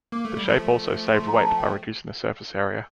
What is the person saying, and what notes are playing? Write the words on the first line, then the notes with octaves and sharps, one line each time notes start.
The shape also saved weight by reducing the surface area.
A#3 D6
A3
G3
F3 A3
C6
A#5
A5
G5